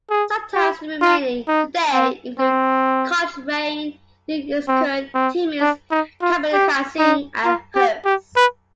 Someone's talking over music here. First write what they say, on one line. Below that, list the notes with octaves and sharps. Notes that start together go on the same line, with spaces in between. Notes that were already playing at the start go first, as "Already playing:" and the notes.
Some towns still remaining today include Cochrane, New Liskeard, Timmins, Kapuskasing, and Hearst.
G#4
G4
F4
D#4
C4
C4
C4
C4
D4
D#4
F4
G4
D#4
F4
G4
G4
B4